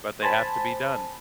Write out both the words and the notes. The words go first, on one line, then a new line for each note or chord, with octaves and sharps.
but they have to be done.
C5 G#5 A5 B5